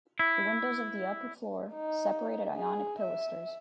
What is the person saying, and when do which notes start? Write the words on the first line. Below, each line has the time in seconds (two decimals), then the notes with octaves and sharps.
The windows of the upper floor separated Ionic pilasters.
0.19 E4
1.74 D#4
2.56 G#4
3.00 E5